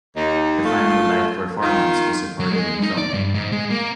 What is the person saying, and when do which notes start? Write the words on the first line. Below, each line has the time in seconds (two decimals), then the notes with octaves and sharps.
The final live performance was recorded and filmed.
0.17 D#2 D#4
0.65 A3 F4
1.62 D#3 F4
2.40 F#3
2.52 G#3
2.83 D#4
2.98 D5
3.14 G2
3.34 G#2
3.52 G#3
3.70 A#3